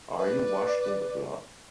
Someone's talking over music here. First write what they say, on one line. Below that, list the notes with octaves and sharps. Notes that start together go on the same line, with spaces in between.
Are You Washed in the Blood?
B4 D5